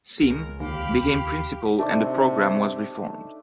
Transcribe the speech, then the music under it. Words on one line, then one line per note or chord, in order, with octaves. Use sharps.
Sim became principal and the programme was reformed.
C#2 A#4
D#2 G4 F5 B5
C3 A3 D4 D#4